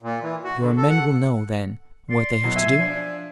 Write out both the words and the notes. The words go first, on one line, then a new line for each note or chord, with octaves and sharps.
"Your men will know, then, what they have to do?"
A#2
E3
F#4
D3
A4
F#5
D5 C6
B2 F#3 E4
E5 G#5
F3 D4